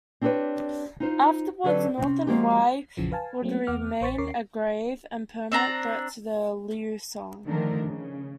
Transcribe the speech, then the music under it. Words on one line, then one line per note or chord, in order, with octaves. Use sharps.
Afterwards, Northern Wei would remain a grave and permanent threat to the Liu Song.
C4 D4 G4 A#4 B4 C#5
D#4 F4 C5
D3 F#3 G4 A4 B4 D5
C3 C4 C#4
F3 G#3 A#3 F#4 G4
A#1 F2 C#3 E3 F3
B4 F5 G#5 A5
F#3 A3 A#3 C4 C#4
E2 B3 F#5 D6 F6
A1 C5 C#6 A6 B6
D#2 C#4 A#4 C#6 D6 C7
C4 D4 A#5
D3 D#3 F3 A3 D4 A#4
C#3